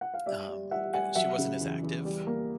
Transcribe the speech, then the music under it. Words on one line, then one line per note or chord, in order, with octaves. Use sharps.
um, e She wasn't as active,
F#5
F5
G3 D5 E5
G3
G3 E5 F#5
G3 F#5 G#5
F#3 E5 F#5
C#3
E2
E2
G3
A#3